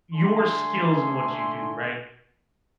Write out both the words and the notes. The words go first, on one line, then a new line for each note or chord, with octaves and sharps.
your skills and what you do, right?
D3 A3 G#5 C6